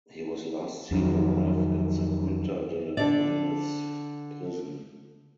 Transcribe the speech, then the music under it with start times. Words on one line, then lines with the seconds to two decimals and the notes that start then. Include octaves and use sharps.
He was last seem alive at the Quinta de Funes prison.
0.91 F2 D#3 F#3
2.97 D3 D5